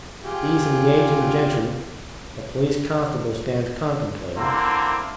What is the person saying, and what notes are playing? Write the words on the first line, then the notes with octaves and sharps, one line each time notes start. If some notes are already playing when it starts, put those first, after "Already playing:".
These engaging gentry a Police-constable stands contemplating.
F4 G4 G#4
D3 A#3 C4 E4